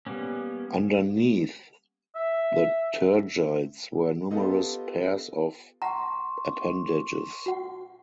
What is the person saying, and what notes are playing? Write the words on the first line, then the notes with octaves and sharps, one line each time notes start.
Underneath the tergites were numerous pairs of appendages.
G3 A#3 B3 C#4
E5
B3 F4 G4 A4 D#5
F#5 A#5 C6 C#6
F#4 F#5